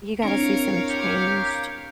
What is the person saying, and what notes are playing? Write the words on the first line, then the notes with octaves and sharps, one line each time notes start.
you gotta see some changed
C4 D4 E4 A#4 C#5 F5
G4